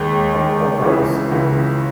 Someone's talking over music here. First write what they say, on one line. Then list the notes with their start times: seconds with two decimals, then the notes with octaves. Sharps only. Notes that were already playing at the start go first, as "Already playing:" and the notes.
For God's sake.
Already playing: D#2 D#3 G#3
0.33 D#2 D#3 G#3
0.82 C#2 C#3 E3
1.31 C#2 C#3 E3